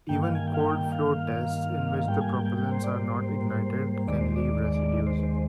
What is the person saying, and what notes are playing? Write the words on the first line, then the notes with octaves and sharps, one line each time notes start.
Even cold-flow tests, in which the propellants are not ignited, can leave residues.
G2 D#3 A#3 G5
F5
G#5
G5
F5
G5
G5
F5
F5
G#2 G3 A#3 G5
G#5
G5
G5
G5
C5
D5
C5
D#2 D#3 G#3 D5
C5
D5
C5
C5